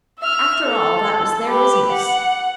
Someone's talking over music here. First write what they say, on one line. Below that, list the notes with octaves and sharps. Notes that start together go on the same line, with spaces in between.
After all, that was their business.
E5 F6
A4
G4 B4
F#5